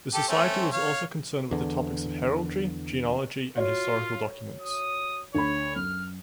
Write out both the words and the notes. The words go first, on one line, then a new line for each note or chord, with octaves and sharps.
The society was also concerned with the topics of heraldry, genealogy, and historical documents.
G4 A4
A3 C4 C#4
C#5 F5
E2 D3
F4 F#4 C#5
D#6
D2 C#5 B5
F#2 F6